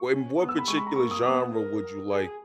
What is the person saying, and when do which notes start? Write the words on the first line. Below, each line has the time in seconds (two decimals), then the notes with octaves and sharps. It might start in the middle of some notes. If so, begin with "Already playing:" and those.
in what particular genre would you like
Already playing: C#6
0.11 C#4
0.39 B3 D#6
0.49 E6
0.59 B5
0.68 G#3 C#6
0.77 B5
0.87 A#5
0.96 A#3 C#6
1.11 D#6
1.25 B3 D#6
1.54 A#4
2.10 G#4